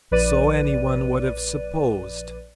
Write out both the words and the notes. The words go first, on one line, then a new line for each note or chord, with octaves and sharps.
So any one would have supposed.
A#1 B4 D5 D#7